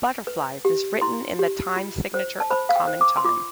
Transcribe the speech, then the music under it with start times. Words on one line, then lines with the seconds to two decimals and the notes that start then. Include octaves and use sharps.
"Butterflies" is written in the time signature of common time.
0.27 B4
0.65 G4
1.01 E4 C6
1.39 G4
1.76 F4
2.14 C5
2.40 A5
2.50 C5 B5
2.69 F5
2.76 G5
2.87 C5
3.01 D6
3.17 C6
3.25 F4 D6